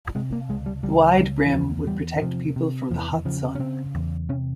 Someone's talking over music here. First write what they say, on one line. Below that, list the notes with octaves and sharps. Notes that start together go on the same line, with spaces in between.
The wide brim would protect people from the hot sun.
C3 G#3
A#3
C#2 G#3
G3
C#2 G3
C#2 G3
E3
E2 F3
E2 G3
E3
C3 F3
C3
E2 F3
E3
E3
C#3 F3
C#4
C#3 C4
E2
C3 C#4